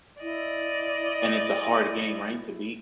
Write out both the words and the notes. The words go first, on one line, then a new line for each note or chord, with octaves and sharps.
And it's a hard game, right, to beat?
E4 D5 D#5